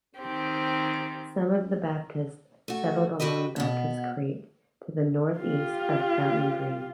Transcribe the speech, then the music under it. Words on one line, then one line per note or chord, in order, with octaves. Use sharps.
Some of the Baptists settled along Baptist Creek to the northeast of Fountain Green.
D#3 C4 G4
A3 F#4
D4 F#4 G4 B4 D#5
B2 B3
F4 G4